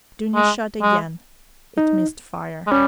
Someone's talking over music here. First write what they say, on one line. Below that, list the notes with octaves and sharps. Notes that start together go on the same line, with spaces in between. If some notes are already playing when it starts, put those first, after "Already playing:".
Dounia shot again: it missed fire.
G#3
G#3
D#4
G#3
G3 C#4